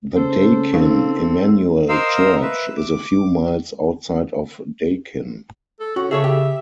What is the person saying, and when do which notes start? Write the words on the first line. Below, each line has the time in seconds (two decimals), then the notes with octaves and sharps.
The Daykin Immanuel Church is a few miles outside of Daykin.
0.16 C#3 A4 C5
0.73 C4 D#4 F5
1.89 A#4 C5 D#5 F5 E6
2.42 B4 E5
2.77 D6
5.80 A4
5.96 C#4 F#4
6.11 C#3 G#4 A4 C#5 E5
6.24 G4